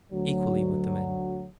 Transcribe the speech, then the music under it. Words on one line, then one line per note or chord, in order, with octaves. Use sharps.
Equally with the men.
D2 F#3